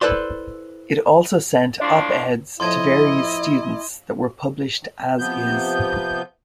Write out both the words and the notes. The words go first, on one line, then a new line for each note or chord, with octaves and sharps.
It also sent op-eds to various students that were published as-is.
E4 A4 B4 C5 D5 C6
A2 F3 D4
F2 A2 E4 D#5 A5 C6 G#6
C3 F3 B3 G6